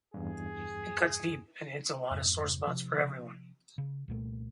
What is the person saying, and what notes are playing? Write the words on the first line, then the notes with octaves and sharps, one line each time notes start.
It cuts deep, and hits a lot of sore spots for everyone.
E2 G2 G#4
F2 G#2
C3 F3
C#3
C2 A#2 A3